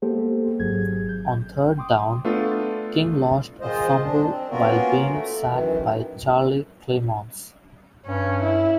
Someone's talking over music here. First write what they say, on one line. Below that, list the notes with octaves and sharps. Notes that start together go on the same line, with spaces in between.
On third down, King lost a fumble while being sacked by Charlie Clemons.
G#3 A#3 B3 G4 A4 C5
G#1 G#2 F#3 G#4 G#6
G#1 G6
G5 C6 D6 D#6
A3 B3 D4 F4 A4
D#3 G#3 F4 C5 D#5
D4
C4
A#3 B3 C#4 F4 F#4 A#4
A3
F#2 D#3 E3
G2 C#4
E4